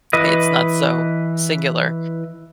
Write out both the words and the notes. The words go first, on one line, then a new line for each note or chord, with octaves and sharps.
It's not so singular.
E3 B4 D#5